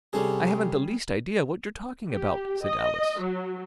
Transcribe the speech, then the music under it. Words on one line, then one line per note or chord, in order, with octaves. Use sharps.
'I haven't the least idea what you're talking about,' said Alice.
C3 G3 C#4 G#4 A4
G4
D#5
F#3